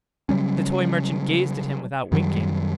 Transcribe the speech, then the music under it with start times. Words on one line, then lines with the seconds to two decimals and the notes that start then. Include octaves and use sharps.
The toy merchant gazed at him without winking.
0.29 C#3 F#3 G3 C#4
2.12 F#2 D#3 F#3 G3